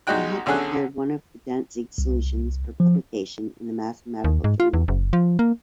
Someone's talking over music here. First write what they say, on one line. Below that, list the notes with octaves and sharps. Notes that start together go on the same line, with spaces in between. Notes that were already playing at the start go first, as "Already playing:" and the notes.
He had prepared one of Dantzig's solutions for publication in a mathematical journal.
B1 G#3 D#4 F#4 G5 F#6
B1 D3 C#4 G#4 A4 F#6
C2
F3
D#2
G#2
F4
E2
F#1
F3
A#3